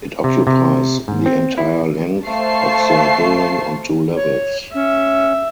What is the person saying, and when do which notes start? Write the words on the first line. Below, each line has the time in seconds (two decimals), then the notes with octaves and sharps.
It occupies the entire length of the building on two levels.
0.24 C3
0.47 C3
1.08 G#2
1.26 C4
1.58 E4
2.26 A3 C5 F5 A5 C#6 C7
4.16 C#5
4.74 C#4 E5